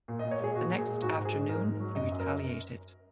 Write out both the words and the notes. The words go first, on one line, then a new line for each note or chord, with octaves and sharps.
The next afternoon they retaliated.
A#2
D#5
A#2
C#5
G#3 G#4
A#2 F#4
A#2
G#4
G#3
G#2 F#4
G#2
G#4
G#3
G#2 A#4
G#2
F#3
F#2 D#5
F#2
A#4